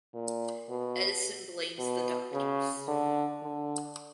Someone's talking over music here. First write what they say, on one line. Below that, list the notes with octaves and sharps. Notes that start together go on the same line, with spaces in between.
Edison blames the doctors.
A#2
B2
B2
C#3
D3
D3